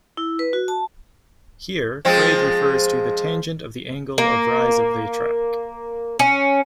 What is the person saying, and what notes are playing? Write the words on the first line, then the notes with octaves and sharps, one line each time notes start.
Here grade refers to the tangent of the angle of rise of the track.
E4
B4
F#4
A5
F3 G#3 C4
A#3
C#4